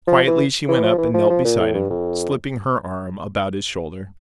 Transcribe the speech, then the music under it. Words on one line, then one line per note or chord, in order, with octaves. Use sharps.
Quietly she went up and knelt beside him, slipping her arm about his shoulder.
F3
E3
E3
F3
E3
F3
F3
A#2
A2
G2
F2